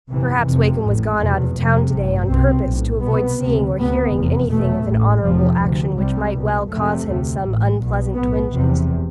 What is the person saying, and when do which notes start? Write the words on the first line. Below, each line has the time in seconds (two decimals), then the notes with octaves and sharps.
Perhaps Wakem was gone out of town to-day on purpose to avoid seeing or hearing anything of an honorable action which might well cause him some unpleasant twinges.
0.10 G1 F2 C3 E3
0.46 F1 F2 C3
0.83 A1 A2
1.20 F1 E2 B2
1.57 F1 F2 C3
1.94 A1 G2
2.30 C2 B2 C4
2.66 B1 A2
3.03 C2 B2 B3
3.40 D2 C3
3.77 D2 C3 B3
4.14 F1 E2 C3
4.50 F1 E2 B2 A3
4.86 A1 A2
5.23 F1 F2 C3 F3
5.61 D2 C3
5.96 C2 C3 G3
6.33 C2 B2
6.70 F1 F2 C3 A3
7.07 D2 C3
7.44 A1 A2
7.80 B1 B2
8.16 B1 A2 B3
8.53 F1 E2 C3